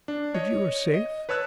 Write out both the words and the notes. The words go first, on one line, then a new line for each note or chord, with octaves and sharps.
But you are--safe.
D4
C#5 D#5
D#5
B4 C#5 A5 E6 F#6